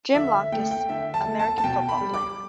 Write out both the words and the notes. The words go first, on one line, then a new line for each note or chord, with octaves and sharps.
Jim Lankas, American football player.
D3 E5
E5
A3 G5
G5
D3 E5
A5
A3
A5
A5
B2 G5
B5
G3
D6